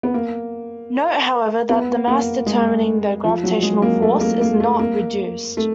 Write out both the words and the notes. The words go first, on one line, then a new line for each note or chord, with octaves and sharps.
Note, however, that the mass determining the gravitational force is "not" reduced.
B3
A#3
B3
A#3
G#3
F3
F#3
G#3
A#3
A3
A#3
A#3
A3
A#3
A3